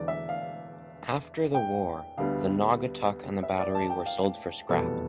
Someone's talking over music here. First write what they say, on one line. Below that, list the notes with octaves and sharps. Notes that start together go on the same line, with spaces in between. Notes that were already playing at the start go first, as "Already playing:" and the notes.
After the war, the Naugatuck and the Battery were sold for scrap.
Already playing: E1 E2 D3 D5
E5
F5
G5
D2 D3 G3 B3 F5
E5
D5
A5
G5
F5
F1 E2 B2 G3 B3 A4